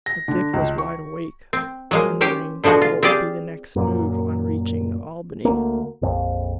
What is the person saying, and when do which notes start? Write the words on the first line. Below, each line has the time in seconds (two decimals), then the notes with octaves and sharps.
But Dick was wide awake, wondering what would be the next move on reaching Albany.
0.06 A#6
0.28 D3
0.53 C#2
0.78 C#6
1.53 C4
1.91 F#3 G#3 A#3
2.21 C#4 G4 C5 C#5 G5
2.64 B2 D3 F3 G#3 F#4
2.81 F4
3.03 C4 G4 G#4 D5 F5
3.76 F#2 A#2
5.45 D2 A#3
6.02 A#1 F2